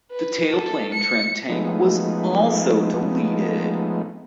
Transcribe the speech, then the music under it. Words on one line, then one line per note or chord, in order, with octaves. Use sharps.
The tailplane trim tank was also deleted.
B4
A4
C#7
F3 G#3 A3 B3 D#4